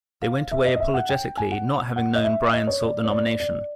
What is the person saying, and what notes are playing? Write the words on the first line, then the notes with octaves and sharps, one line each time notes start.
They went away apologetically, not having known Bryan sought the nomination.
F5
E5
D#5
D#5
E5
F#5
G5
G#5
F#5
F#5
D#5
E5
D#5
C#5
D5
C#5
D5
D5